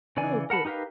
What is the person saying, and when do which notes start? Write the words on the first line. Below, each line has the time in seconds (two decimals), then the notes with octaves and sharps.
Oh, cool.
0.17 C#3 E3 D5 G#5
0.50 A#4 F#5 A5 B5
0.65 D#4 G4 A#4 B4 F5